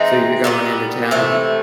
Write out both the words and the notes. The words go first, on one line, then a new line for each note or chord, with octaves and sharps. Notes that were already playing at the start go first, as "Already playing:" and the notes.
So you're going into town
Already playing: E3 G#3 C4 D#4
A#2 G3 B3
C3 E3 A3